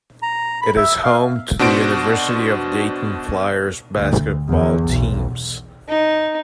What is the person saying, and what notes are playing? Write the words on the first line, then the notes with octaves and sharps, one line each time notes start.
It is home to the University of Dayton Flyers basketball teams.
A#5
B5
E5
F5
B2 D4 F#4 C5 D7
D2
E2
B1
D#4